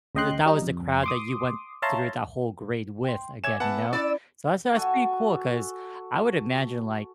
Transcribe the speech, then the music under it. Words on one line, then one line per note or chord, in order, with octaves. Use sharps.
that that was the crowd that you went through that whole grade with, again, you know? So, that's a that's pretty cool 'cause I would imagine, like,
D2 C#3 D#5 G5 C6 F#6
G3 D#4
F2
C6 D6 D#6
C#5 E5 F5 A5 A#5 C6
G5 C6
C#5 E5 G#5 D6 G#6 E7
B3 B4 E5 F#5 A5
C#4 E4 D5 B5 E6
F#4 A4 G#5